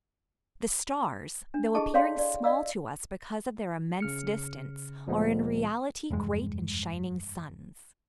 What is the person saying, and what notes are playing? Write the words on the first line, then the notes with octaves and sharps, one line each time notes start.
"The stars," though appearing small to us because of their immense distance, are in reality great and shining suns.
D4
E4 G#4 A4 D#5 A5 C#6
C#5 D5 F5 G5 C6
D5
D5 D#5 F5 E6
C#3 F6 C#7
D2 A#2 F3 G#3 B3
F1 E2 G2 G#3